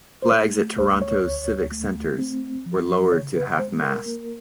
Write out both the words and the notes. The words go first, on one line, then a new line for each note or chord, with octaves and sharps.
Flags at Toronto's civic centres were lowered to half mast.
C5
A3 C#5
D2 C5
C#5
D2
A3
C4
F3
C#3 C#5
B4
G#3 C5
A#4
A#3